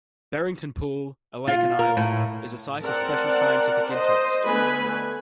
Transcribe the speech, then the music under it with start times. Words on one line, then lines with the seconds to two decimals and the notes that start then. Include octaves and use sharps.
Berrington Pool, a lake and island, is a Site of Special Scientific Interest.
1.47 F4
1.79 A#4
1.97 A2
2.82 C4 A#4 D5 F#5 A5
3.91 C5 D#5
4.46 D3 A3 B3 B4 G#5 B5